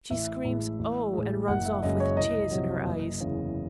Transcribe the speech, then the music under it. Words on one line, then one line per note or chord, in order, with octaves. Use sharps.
She screams 'Oh!' and runs off with tears in her eyes.
A1 E5
A2 G#3
A1
A2 G#3
F#1 F#5
E5
F#2 C#3 G#3 D#5
C#5
C2 D#5
C3 F#3
F#1
E2 C#3